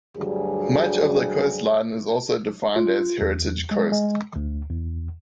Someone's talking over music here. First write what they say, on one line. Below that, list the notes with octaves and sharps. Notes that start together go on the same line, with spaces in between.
Much of the coastline is also defined as heritage coast.
D2 G2 F#3 G3 G#4
F4
E2
G#3
G#3
D2
E2